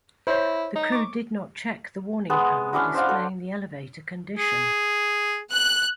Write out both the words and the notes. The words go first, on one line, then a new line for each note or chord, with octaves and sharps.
The crew did not check the warning panel displaying the elevator condition.
E4 C5 C#5
D#4
C#6 D6
G#3 B3
C#4 D4 E4 F#4
C5 D5 F5 F#5
F#4 A4
G#4
F#6